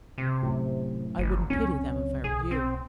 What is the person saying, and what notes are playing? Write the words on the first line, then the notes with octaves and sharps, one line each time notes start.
I wouldn't pity them if I were you.
C3
F#2 A2
G1
C#2 F#2 C4 C#4
B1 G#4
C4